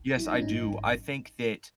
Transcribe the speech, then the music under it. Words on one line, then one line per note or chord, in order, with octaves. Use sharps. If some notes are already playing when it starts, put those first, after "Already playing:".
yes, I do. I think that
Already playing: G#1
F#3 E4
D#4
C#4
G#2 D#4
G#1